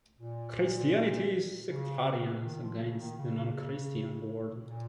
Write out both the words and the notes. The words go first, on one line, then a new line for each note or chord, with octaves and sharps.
Christianity is sectarian as against the non-Christian world.
A#2
C#3
D#3
F3
C#3
D#3
C#3
A#2